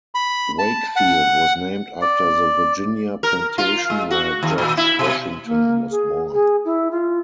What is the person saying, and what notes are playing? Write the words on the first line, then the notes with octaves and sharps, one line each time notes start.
Wakefield was named after the Virginia plantation where George Washington was born.
B5
A5
F#5
D5
A#4
F4
G#3
F#4
D#2
A#2
E4
B2
A#3
G#4
G#4
E4
F4